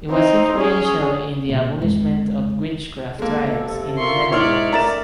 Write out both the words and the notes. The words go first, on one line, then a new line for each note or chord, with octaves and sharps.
It was influential in the abolishment of witchcraft trials in the Netherlands.
C4 D#4
C#4 G#4
B2 A#3
F2 G#3
G#3 A#3 A4
C3
F4 A#4 E5 C6 C#6
G#2 D#4 E4 C#5 D5 E5 C6 F6
A3 A#4 D5 A#5 A6 E7